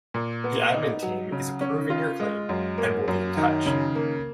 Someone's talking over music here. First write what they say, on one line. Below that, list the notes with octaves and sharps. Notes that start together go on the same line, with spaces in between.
The admin team is approving your claim and will be in touch.
A#2
B3
D#4
F#3
C#3
C#4
F4
G#3
F#2
A#3
F#2
D#3
C#3
A#3